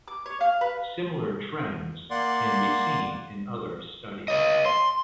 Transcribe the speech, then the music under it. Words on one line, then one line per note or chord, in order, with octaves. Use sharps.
Similar trends can be seen in other studies.
D6
C#5
F5
B4
A#3 D5 F#5 C6
C#5 D#5
C6